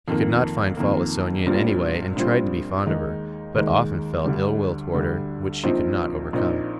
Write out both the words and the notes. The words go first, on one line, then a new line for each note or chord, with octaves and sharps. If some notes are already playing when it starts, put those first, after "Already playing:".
She could not find fault with Sonya in any way and tried to be fond of her, but often felt ill-will toward her which she could not overcome.
F2 D#3 A#3
F2 D#3 A#3
A#1 A#2 G3 C4 F4
A#1 A#2 G3 C4 F4
D#2 D#3 G#3 D#4
D#2 D#3 G#3 D#4
D2 D3 G3
D2 D3 G3
A#1 A#2 F3 C4 D#4
A#1 A#2 F3 C4 D#4